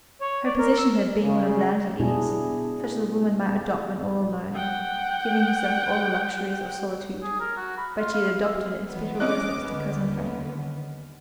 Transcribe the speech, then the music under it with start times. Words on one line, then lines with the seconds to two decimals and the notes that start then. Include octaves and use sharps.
Her position had been one of lounging ease, such as a woman might adopt when all alone, giving herself all the luxuries of solitude;--but she had adopted it in special reference to cousin Frank.
0.21 C#5
0.45 D5
0.58 A#4
0.78 E6
1.22 C#3
2.00 B2 D4 E4 G#4
4.54 F#5 G5
7.22 G#4
7.40 A#4
7.57 F#4
7.78 B5
7.99 F4
8.13 F5
8.43 E5
8.88 E3 B3
9.20 C#4 D#5 D6 F#6
9.64 D#2 D3 B3